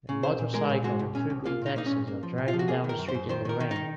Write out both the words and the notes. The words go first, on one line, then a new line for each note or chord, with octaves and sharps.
A motorcycle and two green taxis are driving down the street in the rain.
C#3
C2 C5
A#2
G#3 A#4
A#2
G#3 F#4
C2
A#2 C#4
C2
A#3 F4
A#2 D#4
A#3 D#4
C#4
A#2
A#3
F3
A#2
F4
F3
F#4
A#3 G#4
D#3
A#4
F#2
C5
F#2
D#3 C5
D#3 A#4
D#3
D#3 D#4